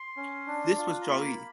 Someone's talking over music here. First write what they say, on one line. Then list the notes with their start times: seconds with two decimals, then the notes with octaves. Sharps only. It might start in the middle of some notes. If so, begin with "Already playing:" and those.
This was Zhaoyi.
Already playing: C6
0.17 C#4
0.47 D4
0.78 F4
1.01 A#5
1.08 A#3 B5